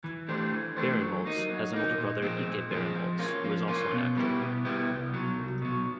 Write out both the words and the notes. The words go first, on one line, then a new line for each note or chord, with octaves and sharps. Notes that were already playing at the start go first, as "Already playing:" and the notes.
Barinholtz has an older brother Ike Barinholtz who is also an actor.
E3
A3 D4 G4 C5
E3
A3 D4 G4 C5
F#3
A#3 D#4
F#3
A#3 D#4
A#2
F3 G#3 C4
A#2
F3 G#3 C4
F3
A#3 C#4 F4
F3
A#3 C#4 F4
B2
G3 B3 E4 G4
B2
G3 B3 E4 G4
C2
B2 F#3
C2
B2 F#3